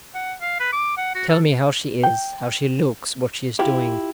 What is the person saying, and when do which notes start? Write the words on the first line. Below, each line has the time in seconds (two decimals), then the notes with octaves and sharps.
Tell me how she is, how she looks, what she is doing.
0.15 F#5
0.41 F5
0.60 B4
0.72 D6
0.97 F#5
1.15 F#4
1.29 A4
2.04 G5
3.59 E4 F4 G4